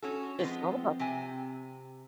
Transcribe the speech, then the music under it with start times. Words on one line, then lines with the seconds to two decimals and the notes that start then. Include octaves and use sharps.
It's all about
0.02 C#4 F#4 A4
0.39 F3 G#3 B3 C4
0.99 C3 G#5